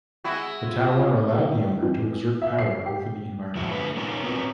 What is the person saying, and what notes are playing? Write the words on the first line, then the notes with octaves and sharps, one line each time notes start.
The tower allowed the owner to exert power over the environment.
G#3 E4 F#4
F4
D#3
E3
E5
C7
G4
F3 G#3 E4 F#4
D3 A3 B4
B3 C#4 D#4 F4 A#4
C4 C#4 F#4 A#4 B4